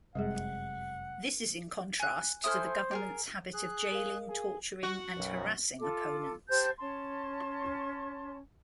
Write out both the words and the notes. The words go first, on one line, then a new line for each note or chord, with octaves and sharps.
This is in contrast to the governments habit of jailing torturing and harassing opponents.
F1 F#2 C3 G3 G#3 G#4 F#5
G#5 F#6
E4 A4 C5 G#5 D#6 F6
G4 G#4 A#4
G#4 F#6
A#4 F5
G#4
F#4
B1 F#2
F4 A4 D6
G4 C5 A5 G6
C#4 C#5 A5 C6